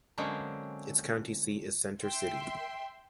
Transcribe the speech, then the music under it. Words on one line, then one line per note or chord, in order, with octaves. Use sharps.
Its county seat is Center City.
D3 F#3 G#3 A#3 C4 C#4
E5 G5 C6